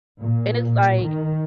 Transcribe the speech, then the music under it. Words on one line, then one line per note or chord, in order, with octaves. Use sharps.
and it's, like,
A#2
D#3